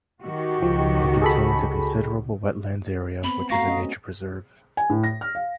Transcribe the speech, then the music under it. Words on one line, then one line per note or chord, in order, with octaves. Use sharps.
It contains a considerable wetlands area which is a nature preserve.
D#3 F#4 G4
C#2 F3
G#4 A4 B5
B3 C4 B5
A3 F#4 F5 A#5 C#6 A#6
C#4 D#5
G#5
A2
A#6
F6
F5